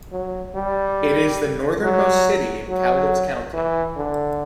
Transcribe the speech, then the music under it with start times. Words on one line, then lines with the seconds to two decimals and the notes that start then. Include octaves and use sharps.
It is the northernmost city in Cowlitz County.
0.12 F#3
0.55 G3
1.83 F#3
2.68 F#3
3.53 E3
3.96 D3